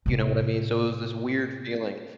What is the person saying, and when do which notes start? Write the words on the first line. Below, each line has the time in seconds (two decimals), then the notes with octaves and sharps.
you know what I mean? So, it was this weird feeling,
0.06 A2 C3